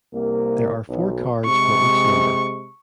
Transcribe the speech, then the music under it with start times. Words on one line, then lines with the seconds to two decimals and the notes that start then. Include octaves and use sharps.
There are four cards for each number.
0.13 C2 C3 A#3
0.88 B1
1.46 C3 G#3 C#6